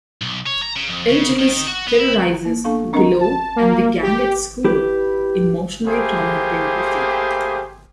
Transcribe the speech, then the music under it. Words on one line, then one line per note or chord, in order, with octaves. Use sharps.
Angelus terrorizes Willow and the Gang at school, emotionally tormenting Buffy.
B1
C#5
A#5
C#3
F2
C#3
D#3
F#4
B3
E4
A#3
A#3 B3 D4 A4 F5 C#6
C4 D4 A#4 D#5 F#5 A#5
A5
A#3
G4
E4 G4 B4
A3 A#3 G4 G#4 C5 B5